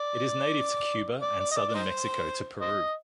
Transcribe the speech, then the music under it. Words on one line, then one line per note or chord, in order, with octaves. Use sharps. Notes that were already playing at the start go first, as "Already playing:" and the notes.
It is native to Cuba and Southern Mexico to Peru.
Already playing: D5
D5
D5
D#5
D5
D5
D#4 C5
C5 D#5